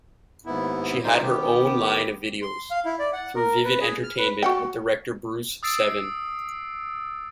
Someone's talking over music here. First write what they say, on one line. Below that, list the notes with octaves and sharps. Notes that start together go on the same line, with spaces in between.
She had her own line of videos through Vivid Entertainment with director Bruce Seven.
D#2 G#2 B3 E4
D3 G3 A3 D#4 F4 C5
D#3 B3 G4
C6
F5
E4
D5
F#5
A#4
B4
G#4
F6
B4
F#4 F#5 G5
D#6 E6 A6 C7 D7